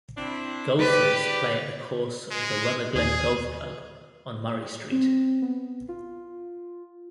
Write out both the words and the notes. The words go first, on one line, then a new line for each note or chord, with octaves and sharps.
Golfers play at the course of the Rutherglen Golf Club on Murray Street.
C4 D4 E4
G4 B4 D5
G#3
D#2 G#4
C4
B3
F4